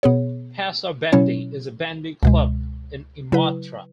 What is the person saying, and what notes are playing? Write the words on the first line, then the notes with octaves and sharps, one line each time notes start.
PaSa Bandy is a bandy club in Imatra.
B2 B3 G#4 C#5
B2 F#3 C#4 E4 C#5
C#2 B2 G#3
C#3 F#3 E4 B4